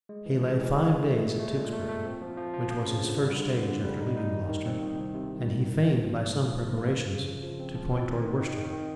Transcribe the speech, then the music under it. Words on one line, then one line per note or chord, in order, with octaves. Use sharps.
He lay five days at Tewkesbury, which was his first stage after leaving Gloucester; and he feigned, by some preparations, to point towards Worcester.
G#3
E3
G#3
E3
G#3
G#3
A3
A#2
A3
A#2
A3
A3
C4
F3
F3
F3
F3
C#3
D3
G3
D3
F2
D3
G3
D#4
D#4
D#3
D#3
C4
D#3
C2
C3
C2
C2
D#3
C2
F3
G#2
F3
G#2
A#3
A#3
C#3
C#3
F3
F3
C4
F3
C4
D#3
D#3
D#3
D#3
D#3